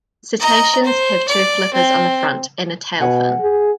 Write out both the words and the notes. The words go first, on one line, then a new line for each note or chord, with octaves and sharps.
Cetaceans have two flippers on the front, and a tail fin.
D#5 A#5
C5
D5
C4
B2 F#5 G#5
G#4